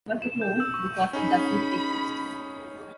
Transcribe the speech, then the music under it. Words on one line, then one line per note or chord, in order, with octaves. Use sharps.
But it won't, because it doesn't exist.
E7
G6
E6
C#6
C#4 D#4 G#4 B5